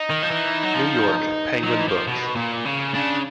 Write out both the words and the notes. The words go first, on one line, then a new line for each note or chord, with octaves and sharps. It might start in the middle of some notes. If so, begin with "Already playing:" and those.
New York: Penguin Books.
Already playing: D#4
D#3
F3
E3
F#3
F3
F#3
F3
E3
F3
B2
A#2
C#3
C#3 D4